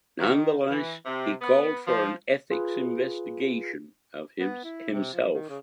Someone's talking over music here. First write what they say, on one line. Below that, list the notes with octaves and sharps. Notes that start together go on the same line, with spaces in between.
Nonetheless, he called for an ethics investigation of himself.
D#3
E3
C3
B3
F3
F4 G#4 B4
B3
E4
C3
F3
D#3
C#3